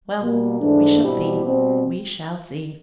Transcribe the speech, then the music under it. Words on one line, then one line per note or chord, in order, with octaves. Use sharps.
Well, we shall see; we shall see.
B2 G3 A#3
G#2 E3 A3 D4
B2 G3 C4 E4 G4
B2 G3 C4